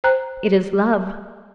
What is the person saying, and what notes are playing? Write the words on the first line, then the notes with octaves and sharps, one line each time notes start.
It is love.
C5 G5 A#5 F#6